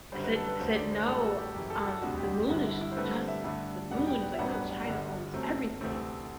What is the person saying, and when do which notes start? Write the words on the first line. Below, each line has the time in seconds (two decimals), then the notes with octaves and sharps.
I said I said, "No, um, the moon is just the moon." He's like, "No, China owns everything,"
0.12 G1 F#2 D3 G3 C5
0.24 B4
0.36 A4
0.48 B4
0.60 D2 D3 F#3 A3 C5
0.75 D5
0.91 C5
1.07 A1 A2 G3 A4
1.23 F#4
1.32 A4
1.39 G4
1.54 F#1 F#2 E3 G4
1.70 A4
1.86 F#4
2.02 E1 D2 C3 G3 D4 F#4
2.18 G4
2.33 G4
2.49 G1 G2 D3 F#4
2.65 E4
2.81 E4
2.92 C5
2.96 G2 D3 A3 C4 B4
3.12 C5
3.28 E5
3.44 G2 D3 A3 D4
3.91 E2 B2 G3 B3 D4 F#5
4.07 G5
4.23 F#5
4.33 E5
4.38 A1 G2 F#3 B3 D4 F#5
4.54 F#5
4.71 F#5
4.86 G1 G2 D3 F#5
5.34 F#2 F#3 A3 C4
5.81 D2 C3 E3 A3 C4